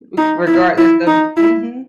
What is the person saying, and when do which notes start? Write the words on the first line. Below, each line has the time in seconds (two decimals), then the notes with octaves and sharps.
r regardless of mhm.
0.18 D#4
0.47 E4
0.78 E4
1.07 D#4
1.37 E4